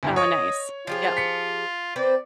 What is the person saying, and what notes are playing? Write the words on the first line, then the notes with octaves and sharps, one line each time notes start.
Oh, nice. Yep.
D2 G2 E4
C#5 D#5 C#6
F3 F4 G4 G#4
B6 C#7
C4 B4 C5 D5